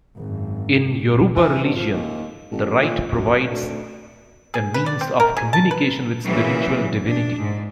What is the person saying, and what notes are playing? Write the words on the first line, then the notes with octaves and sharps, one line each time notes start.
In Yoruba religion, the rite provides a means of communication with spiritual divinity.
G#1 F#2
E3
G#1
F3
D#2
A1
A#2
F#2
D2
G#4
B4
D5
C4
A#4
G#4
A5
B4
A#2 C#3 E3 F#3
D4
G#2